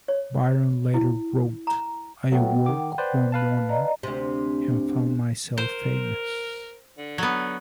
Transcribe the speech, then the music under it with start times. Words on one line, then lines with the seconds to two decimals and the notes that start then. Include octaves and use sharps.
Byron later wrote, "I awoke one morning and found myself famous".
0.08 C#5
0.94 E4
1.67 A#5
2.31 F#3 A3 B3 F#5 G5
2.66 D#3 D6
2.98 B4 C5 D5
3.32 B4 F5 A5
3.69 D5 D#5 A#5
4.03 D2 C3
5.58 A#4 C5
6.98 D3
7.18 F#3 B3